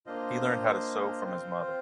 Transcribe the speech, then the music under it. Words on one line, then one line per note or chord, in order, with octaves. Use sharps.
He learned how to sew from his mother.
A#3 D4 F4 C5 D#5
C4 F4 C5